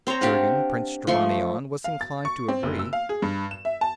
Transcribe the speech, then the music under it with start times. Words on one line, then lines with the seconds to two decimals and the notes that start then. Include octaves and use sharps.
Jurgen, Prince Trevannion was inclined to agree.
0.07 C4 C5 C#5 A#5
0.21 D4 G4 F5 F#5
1.07 F3 A3 C6 C#6
1.84 F5
2.01 A6
2.25 C#6
2.48 C4
2.63 F#1
2.79 E6
2.93 F5
3.09 G#4
3.22 G2
3.51 E7
3.65 E5
3.81 A5